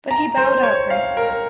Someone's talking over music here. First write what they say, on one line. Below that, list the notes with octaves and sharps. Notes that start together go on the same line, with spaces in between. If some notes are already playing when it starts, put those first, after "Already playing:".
But he bowed out gracefully.
A#5
C5
C#5
F5
A#4